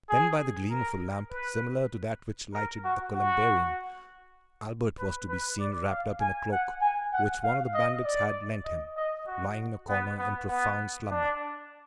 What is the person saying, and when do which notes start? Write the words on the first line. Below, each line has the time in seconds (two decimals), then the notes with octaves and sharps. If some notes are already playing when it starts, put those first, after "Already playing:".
Then, by the gleam of a lamp, similar to that which lighted the columbarium, Albert was to be seen wrapped up in a cloak which one of the bandits had lent him, lying in a corner in profound slumber.
0.09 G#4
0.70 A#4
1.30 B4
2.53 A#4
2.84 F#4
3.14 F#4
4.98 B4
5.28 B4
5.60 D5
5.89 F5
6.20 G#5
6.52 F#5
6.81 G#5
7.13 F#5
7.43 F5
7.74 D#5
8.04 D5
8.65 D#5
8.96 D#5
9.27 F#4
9.88 B3
10.18 B3
10.48 B3
11.11 D4